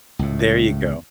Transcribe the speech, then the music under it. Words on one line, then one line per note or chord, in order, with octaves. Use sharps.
There you go.
C#2 A2